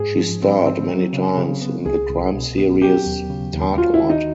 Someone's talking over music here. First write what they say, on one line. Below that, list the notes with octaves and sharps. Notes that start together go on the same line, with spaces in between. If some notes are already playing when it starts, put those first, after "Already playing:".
She starred many times in the crime series "Tatort".
Already playing: G#2 G#4
F3
C4
C4
F#3
C#3
C#3
B3
C2 G#4
C2
B2
B3
F#3 G4
D#2
C#3
D#2
F4 F#4
E4
D#3
D#4